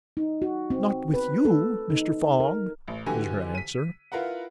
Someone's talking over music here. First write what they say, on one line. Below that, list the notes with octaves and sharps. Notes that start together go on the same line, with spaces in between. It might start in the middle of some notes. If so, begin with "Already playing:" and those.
"Not with you, Mr. Fogg," was her answer.
D#4
F#4
C4
B4
A4
D#4
A#4
A1
D3 E3 F#4 G4 G#5
B6 D#7
E4 F4 A#4 B4 F#5